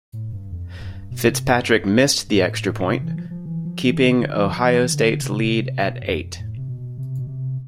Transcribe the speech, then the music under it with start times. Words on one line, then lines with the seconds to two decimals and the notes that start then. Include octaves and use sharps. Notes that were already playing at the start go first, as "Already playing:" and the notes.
Fitzpatrick missed the extra point, keeping Ohio State's lead at eight.
0.13 A2
0.33 G2
0.52 F2
0.81 G2
1.11 B2
1.30 C3
1.50 G2
2.28 A2
2.87 C3
3.01 E3
3.16 F3
3.30 F3
3.46 E3
3.65 F3
3.85 E3
4.04 D3
4.19 D3
4.34 E3
4.48 F3
4.63 E3
4.93 D3
5.21 C3
5.80 B2
6.02 G2
6.10 F2
6.39 A2
6.57 C3
6.68 B2
6.98 C3
7.19 B2
7.27 C3